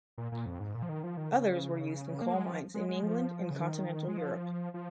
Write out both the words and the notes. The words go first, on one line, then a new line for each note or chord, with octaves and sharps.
Others were used in coal mines in England and continental Europe.
A#2
A#2
F2
G#2
A#2
F3
D#3
F3
D#3
C#3
A#3
G#3
F3
G#3
G#3
F3
C#3
D#3
G#3
F3
F3